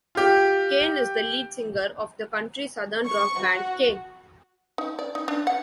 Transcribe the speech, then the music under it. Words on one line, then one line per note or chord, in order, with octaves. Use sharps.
Kane is the lead singer of the country-southern rock band Kane.
F4 G4
C#6
F#4
D#4
D5
D#4
D4
F#5